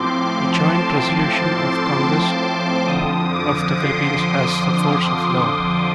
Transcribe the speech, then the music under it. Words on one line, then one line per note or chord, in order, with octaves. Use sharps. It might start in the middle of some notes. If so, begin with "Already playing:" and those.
A joint resolution of the Congress of the Philippines has the force of law.
Already playing: A2 F3 C4 C6 D6
A5
C6
D6
F2 D3 F3 D#6
D6
C6